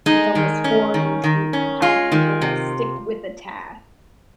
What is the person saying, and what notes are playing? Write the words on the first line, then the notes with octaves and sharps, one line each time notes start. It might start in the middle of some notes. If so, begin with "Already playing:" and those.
it's almost foreign to to have people that stick with the task.
G#3 D#4
D#3
C#4
D#3
D#3
C#4
G#3 F4
D#3
C3